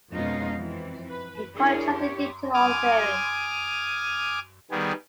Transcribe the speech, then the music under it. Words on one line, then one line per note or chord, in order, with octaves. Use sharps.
It contradicted all theory.
F2 B2 G#3 C#4 D#4 F4
E3 F3 C4
B4
D4 E4 G#4 A#4 C#5
D4 G4 C#5
G#5 D6 D#6 F6
D#3 G3 B3 G#4